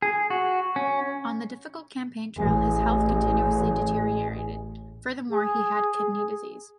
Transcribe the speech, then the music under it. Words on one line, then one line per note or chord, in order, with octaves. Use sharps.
On the difficult campaign trail, his health continuously deteriorated; furthermore he had kidney disease.
G#4
F#4
C#4
A1 G#4
G#4